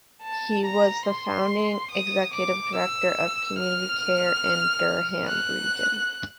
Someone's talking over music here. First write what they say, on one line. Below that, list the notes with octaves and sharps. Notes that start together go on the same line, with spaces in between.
He was the founding executive director of community care in Durham Region.
A5
A#5
C6
D#6
D6
E6
F6
F#6